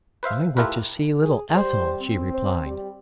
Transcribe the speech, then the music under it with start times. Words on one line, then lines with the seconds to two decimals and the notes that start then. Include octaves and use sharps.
"I went to see little Ethel," she replied.
0.23 B4 C5 E5 F5
0.57 A3 E4 F4 G4 A#4 B4
1.21 G#4
1.55 G3 C5
2.01 C4
2.34 C5
2.66 G3